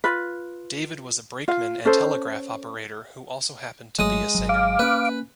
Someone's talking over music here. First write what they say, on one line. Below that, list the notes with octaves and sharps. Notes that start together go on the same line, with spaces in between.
David was a brakeman and telegraph operator who also happened to be a singer.
F4 B4
F4 F5
C#4 A4 C5
G#1 F#3 G#3 A3 D#6
G#1 F#3
F5 D6
A#3 C#4 B4